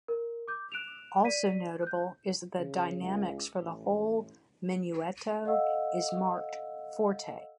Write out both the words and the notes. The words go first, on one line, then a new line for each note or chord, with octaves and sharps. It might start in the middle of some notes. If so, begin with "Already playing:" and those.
Also notable is that the dynamics for the whole "Menuetto" is marked "forte".
A#4
D6 G6
F#6 D7 E7 F7
D5 B6 D#7
F#6 G6
C#3
C#2
A1
A4 D#5 F5 F#5 E6